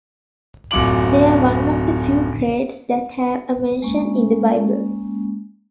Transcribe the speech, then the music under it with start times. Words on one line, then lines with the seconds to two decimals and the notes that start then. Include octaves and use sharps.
They are one of the few trades that have a mention in the Bible.
0.71 D1 F#2 F4 D6 F#7
3.82 G#3 A#3 C#4